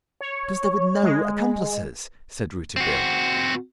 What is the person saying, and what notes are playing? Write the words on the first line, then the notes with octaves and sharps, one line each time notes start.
"Because there were no accomplices!" said Rouletabille.
C#5
G#3
C4 F#4